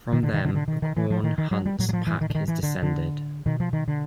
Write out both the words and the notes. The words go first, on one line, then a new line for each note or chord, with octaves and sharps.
From them the Quorn Hunt's pack is descended.
B2 D#3
D3
D#3
D3
D3
D#3
D#3
E3
F3
D#3
D#3
F#3
G3
A2 F#3
F#3
F3
E3
D#3
D3
D#3
E3
D3
D3
B2 D#3
F3
D#3
D3